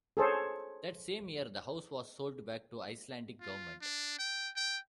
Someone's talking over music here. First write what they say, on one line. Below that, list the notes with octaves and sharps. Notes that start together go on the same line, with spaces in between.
That same year the house was sold back to the Icelandic government.
G#4 A4 C5 C#5
F4
D4
G5
G5